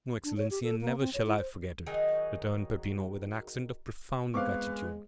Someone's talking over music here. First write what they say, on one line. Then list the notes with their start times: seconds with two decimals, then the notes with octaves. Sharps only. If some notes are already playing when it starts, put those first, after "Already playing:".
"No, excellency; and never shall I forget it," returned Peppino, with an accent of profound gratitude.
0.24 D4
0.37 C#5
0.51 G4
0.63 A4
0.81 A#3
1.00 C4
1.14 C#5
1.26 E4
1.39 C5
1.86 D#3 F#3 D#4 G#4
4.34 G#3 B3 C4 B4 F5 C#6 D6